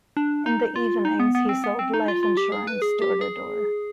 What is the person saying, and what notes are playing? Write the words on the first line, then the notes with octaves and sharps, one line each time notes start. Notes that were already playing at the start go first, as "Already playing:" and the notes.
In the evenings, he sold life insurance door-to-door.
D4
D#4
F4
D#4
B3
B3
C4
B3
C4
D#4
F4
F4
G4
G#4
B4
G#4
G4
G#4